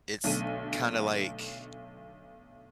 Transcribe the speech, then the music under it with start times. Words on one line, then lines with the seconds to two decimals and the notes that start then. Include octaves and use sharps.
it's kinda like,
0.24 B1 D3 A3 D#7